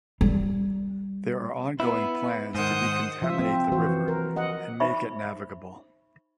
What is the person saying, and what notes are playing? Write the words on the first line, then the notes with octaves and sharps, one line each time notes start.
There are ongoing plans to decontaminate the river and make it navigable.
G3
B3 E4
G#2 D#3 C5 F#5 D#6
F3 F4 E5
C4 F4
E3 F#4 C5
A#4
D#5 F#5
D#4 C5 E5 B5 C#6